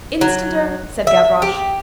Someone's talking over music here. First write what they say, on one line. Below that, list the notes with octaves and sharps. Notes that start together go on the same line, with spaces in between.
"Instanter," said Gavroche.
F#3
E5
G4